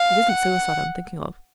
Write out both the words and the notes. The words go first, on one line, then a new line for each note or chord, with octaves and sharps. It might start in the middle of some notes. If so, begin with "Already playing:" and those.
It isn't suicide I am thinking of.
Already playing: F5
F#5